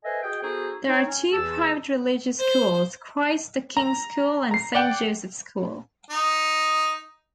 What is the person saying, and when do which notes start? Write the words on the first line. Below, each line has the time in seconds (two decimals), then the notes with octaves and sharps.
There are two private religious schools: Christ the King School and Saint Joseph School.
0.05 A4 B4 C5 D#5 E5 G#5
0.23 F#4 G#4 D#5 G5
0.42 B3 D#4 F#4 G#4 A4 C5
0.87 D#4 C#5
1.07 C#4
1.32 E2 E3 G#4 A5 E6
2.39 C5
3.77 A#5
4.51 A#5 C7
4.75 D5 F#5 G5
6.10 D#4